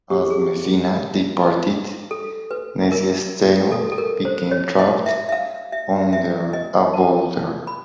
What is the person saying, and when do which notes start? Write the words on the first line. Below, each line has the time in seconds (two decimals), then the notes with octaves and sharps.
As Messina departed, Nessie's tail became trapped under a boulder.
0.10 G4
0.30 G#4
2.11 A4
2.51 B4
2.92 A#4
3.72 A4
3.92 A4
3.98 A#4
4.25 C5
4.51 C#5
4.79 D#5
5.06 E5
5.29 E5
5.32 F5
5.72 E5
6.13 E5
6.53 D#5
6.94 A5
7.67 B5